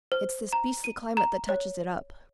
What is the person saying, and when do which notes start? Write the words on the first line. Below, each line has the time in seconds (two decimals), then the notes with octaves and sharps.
It's this beastly climate that touches it up.
0.12 C5
0.53 A#5
0.84 D#7
1.17 A#5
1.49 C#5